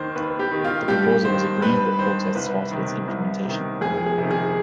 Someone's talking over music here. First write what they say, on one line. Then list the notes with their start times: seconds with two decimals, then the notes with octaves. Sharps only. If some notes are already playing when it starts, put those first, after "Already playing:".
The proposal was agreed, but protests halted its implementation.
Already playing: D#2 D#3 C5
0.15 D#2 B4
0.39 G4
0.51 D#3
0.64 F4
0.88 G2 G4
1.25 D#3 C5
1.62 G2 B4
1.99 D#3 C5
2.35 C2 B4
2.71 C3 D#3
3.08 C2
3.45 C3 D#3
3.81 F2 G#4
4.06 G#4
4.18 C3 D#3
4.31 G#4